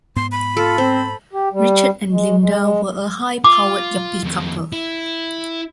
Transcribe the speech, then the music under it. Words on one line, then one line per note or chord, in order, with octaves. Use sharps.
Richard and Linda were a high-powered yuppie couple.
G#2 B3 C6
B5
F4 A4
C4 C5
G4
G3
G#3
G#3
G#3
F4 D6
F2 D#3
E4